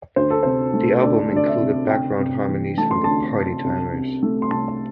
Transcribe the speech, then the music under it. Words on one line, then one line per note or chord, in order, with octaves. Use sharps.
The album included background harmonies from The Party Timers.
D2 C5
A4
C3 C5
A3
D2 D5
D2 D5
E5
C3
D2 G5
C3
E3
A3 A5
C6
D2 A5
C3
C2
C3
A3
C6
C2 A5